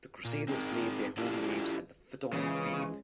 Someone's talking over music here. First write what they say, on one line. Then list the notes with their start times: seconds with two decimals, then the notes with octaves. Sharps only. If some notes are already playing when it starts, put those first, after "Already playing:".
The Crusaders played their home games at Fitton Field.
0.25 A#2
0.48 C4 D#4 F#4 G#4 A#4
1.17 C#4 D4 E4 F4 G4 A4
2.32 C#3 E3 F3 G#3 C#4